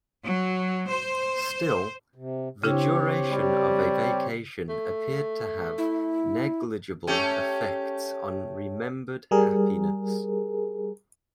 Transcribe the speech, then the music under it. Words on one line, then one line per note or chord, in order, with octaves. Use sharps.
Still, the duration of a vacation appeared to have negligible effects on remembered happiness.
F#3
C5
C3
C#3 C4 D4 E4 G4 C#5
G3
A3
E4
A3 C#4 G4
G3 G#4 A#4